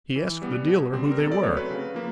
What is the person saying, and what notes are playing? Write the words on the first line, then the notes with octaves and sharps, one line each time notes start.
He asked the dealer who they were.
E3
G3 B3
B2
G3 C4
A#4
B2 A4
D5
F#3 A3 C4 C#5
B4
C#3
F3 A#3